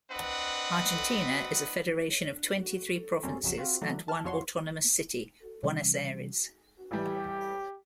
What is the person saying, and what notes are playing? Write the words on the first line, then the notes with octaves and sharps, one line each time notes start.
Argentina is a federation of twenty-three provinces and one autonomous city, Buenos Aires.
C4 D4 B4 D#5 F#5
F#2 C3 G3 C4 C#4
A#1 F2 C#3 F#3 E7
C4 F4 F#4
E3 F#3 A3 D4
A5 F6
F2 F3 F#4 C#5 C6
C3 E3 G3 C#4
A1 E3 G3 G4